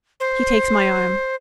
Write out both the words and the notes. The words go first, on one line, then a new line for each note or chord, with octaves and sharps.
He takes my arm.
C5